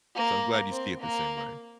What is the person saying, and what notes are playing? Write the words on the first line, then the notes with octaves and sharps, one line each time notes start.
so, I'm glad you see it the same way.
A#3
C4
A#3